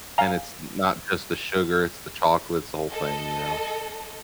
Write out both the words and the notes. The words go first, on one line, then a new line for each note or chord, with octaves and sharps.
and it's not, just, the sugar, it's the chocolate, it's the whole thing, you know?
F5 G#5 A#5
A4 D#5